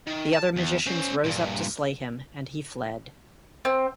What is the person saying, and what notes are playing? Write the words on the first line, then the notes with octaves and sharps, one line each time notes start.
The other magicians rose up to slay him, and he fled.
D#3
A5
E2
C#4 C5
G2 A#2
C4